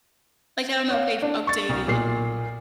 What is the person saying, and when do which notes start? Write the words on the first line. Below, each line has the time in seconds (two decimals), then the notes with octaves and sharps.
Like, I don't know if they've updated it
0.90 C#5 F5
1.22 D4
1.47 C#6 A6
1.69 C2
1.87 B1 A#2 C7